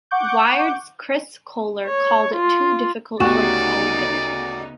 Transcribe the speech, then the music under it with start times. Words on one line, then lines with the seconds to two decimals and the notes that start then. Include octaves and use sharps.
Wired's Chris Kohler called it too difficult for its own good.
0.11 F#5 C#6 D6 G6
1.87 C#5
2.35 F4
3.20 D2 C#3 B3 D#4 F#4 G4 D5 E7